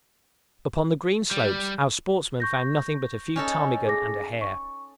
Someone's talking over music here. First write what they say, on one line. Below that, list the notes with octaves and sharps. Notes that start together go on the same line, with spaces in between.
Upon the green slopes our sportsmen found nothing but a few ptarmigan and a hare.
G3
C#6 G6 A#6
C#4 D#4 A4
G#4 D6 A#6
C#6